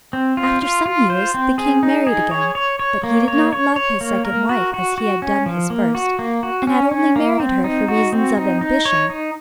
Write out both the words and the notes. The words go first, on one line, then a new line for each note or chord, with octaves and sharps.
After some years the king married again, but he did not love his second wife as he had done his first, and had only married her for reasons of ambition.
C4
F4
F4
F4
C5
C4
G#4
D#4
G#4
C#5
C#5
C#5
A#3
C#5
C#5
C#5
A#3
A#4
F#4
F#4
F#4
C#4
F3
A#3
F#4
A#3
F#4
C#4
C#4
A#3
C4
D#4
F#4
C4
D#4
D#4
C#5
D#4